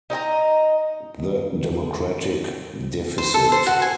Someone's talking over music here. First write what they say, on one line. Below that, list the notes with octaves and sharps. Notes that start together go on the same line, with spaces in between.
The democratic deficit.
D#4 D#5 G5 A#5
C5
A4
C5
F#4
G#5